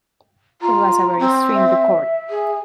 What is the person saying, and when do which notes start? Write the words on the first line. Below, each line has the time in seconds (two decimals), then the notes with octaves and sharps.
It was a very extreme record.
0.62 F4 A#5
1.19 C4
1.55 E5
2.30 G#4